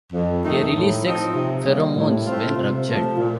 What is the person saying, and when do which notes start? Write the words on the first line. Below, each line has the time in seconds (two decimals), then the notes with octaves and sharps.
They release sex pheromones when ruptured.
0.13 F2
0.44 D#3 A3 D#4
0.74 A2
1.04 F3 C4 D#4
1.35 C3
1.65 G3 A#3
1.96 A2
2.26 A3 C4 F4
2.56 C3
2.87 F3 A3
3.18 A#2